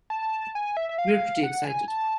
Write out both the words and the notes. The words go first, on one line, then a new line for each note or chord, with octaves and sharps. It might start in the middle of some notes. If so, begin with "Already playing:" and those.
We're pretty excited.
A5
G#5
E5
E5
F5
F#5
G#5
A5